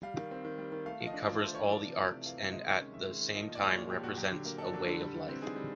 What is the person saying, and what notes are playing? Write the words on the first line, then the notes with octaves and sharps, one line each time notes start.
It covers all the arts and at the same time represents a way of life.
G3 F5
D#3
C4
D#3
G3
D#3
A3 F5
F3
D#5
D4
F3 D5
A3 C5
F3 C#5
E3 D5
C3
A3
C3
E3 F5
C3 E5
G#3 D#5
D#3
C#4
D#3 E5
G#3
D#3
F3 D#5
A#2
D5
G#3
A#2 C#5
F3 G4
A#2 F#4
F#3 G4
D3
A#3
D4 A4
F#3
D3
G3
E3
C4
D#4 G#4
G3